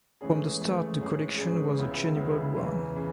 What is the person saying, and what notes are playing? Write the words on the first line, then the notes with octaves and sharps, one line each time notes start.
From the start the collection was a general one.
G#2 E3 A3 C#4 G#4
G#2 E3 A3 C#4 G#4
G#2 E3 G#3 C#4 G#4
G#2 E3 G#3 C#4 G#4
C#2 C#3 G#3 B3 E4
C#2 C#3 G#3 B3 E4
E2 C#3 E3
C#3 E3